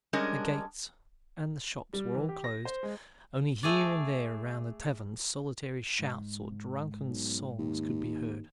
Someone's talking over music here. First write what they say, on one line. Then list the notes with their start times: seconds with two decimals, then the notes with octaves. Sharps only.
The gates and shops were all closed, only here and there round the taverns solitary shouts or drunken songs could be heard.
0.13 G3 G#3 C#4 D4 A#4 D#5
1.93 G3
2.14 E3
2.29 G4
2.44 A#6
2.65 C5
2.83 G#3
3.63 A3 G#4 D5
5.99 G#2
7.09 B1
7.59 D#2